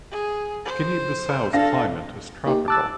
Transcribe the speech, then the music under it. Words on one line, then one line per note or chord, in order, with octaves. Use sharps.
Guinea-Bissau's climate is tropical.
G#4
C5
D4 A4 F5 A#6
A#3 D#4 G4
A5 D6 E6 F#6 A6